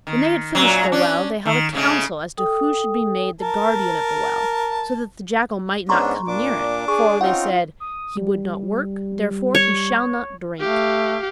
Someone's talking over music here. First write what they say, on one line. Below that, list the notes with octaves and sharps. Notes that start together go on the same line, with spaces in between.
When they had finished their well, they held a council as to who should be made the guardian of the well, so that the jackal might not come near it, for, they said, 'he would not work, therefore he shall not drink.'
D#3
F#2 A#2 F#3
C#4 D4
D#3
A2 C#3 G#3
A4 G5 D#6
A#4 A5
G#2 B3 C#4 D4 A#5 C6 C#6
A#2 D4 D6
G#4 C#6
C4 C#4 D#4 F4 F#5
D#6
G3
C#5
A3 G4 F5